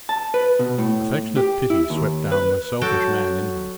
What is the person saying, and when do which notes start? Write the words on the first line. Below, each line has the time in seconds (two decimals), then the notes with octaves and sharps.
Affectionate pity swept down the selfish man in him.
0.09 A5
0.34 B4
0.59 B2
0.78 A2
1.36 G4
1.70 E4
1.90 D#2
2.32 B4
2.81 F#3 F#4 A4 G5